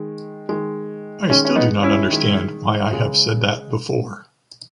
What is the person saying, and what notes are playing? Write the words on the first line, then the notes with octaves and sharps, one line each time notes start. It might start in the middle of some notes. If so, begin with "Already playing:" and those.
I still do not understand why I have said that before.
Already playing: D#3 G#3
D#3 G#3
D#3 G#3 C#4
C#4
B3 D#4
C#4 E4
D#3 G#3
C#3 G#3